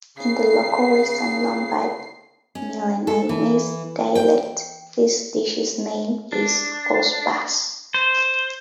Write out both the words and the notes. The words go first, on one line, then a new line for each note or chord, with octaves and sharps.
In the local Western Lombard Milanese dialect, this dish's name is "oss bus".
C#3 C7
C#4
A4
E3
G5
D4
C5